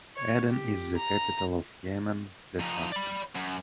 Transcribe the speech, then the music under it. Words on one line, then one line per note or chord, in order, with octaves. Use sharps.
Aden is the capital of Yemen de facto.
C#5
G4
A#5
F2 D#4
D5 B5
F#2